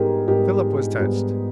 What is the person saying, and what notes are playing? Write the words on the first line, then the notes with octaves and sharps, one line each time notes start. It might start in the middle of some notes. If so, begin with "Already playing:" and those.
Philip was touched.
Already playing: G#2 G3 B3 D#4 G4 G#4 A#4
G#2 G3 B3 D#4 G4 A#4
G#2 G3 B3 D#4